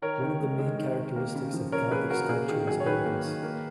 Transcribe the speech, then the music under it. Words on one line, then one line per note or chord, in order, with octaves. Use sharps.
One of the main characteristics of Gothic sculpture was elegance.
D#3 A#4 C#5
D#3
G#3
G#3
D#3
D#3
A#3
C#3
F3
C#3 A#4 C#5
A#3 G#4 B4
C#3 F#4 A#4
A#3 G#4
D#3 G#4
F#3 G#4
C#5
D#3 G#4 B4
A#3
D#3
A#3